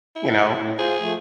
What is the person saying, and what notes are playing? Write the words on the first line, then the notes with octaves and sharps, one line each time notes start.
You know?
E4
A2
F4 G#4 C5
F3 A3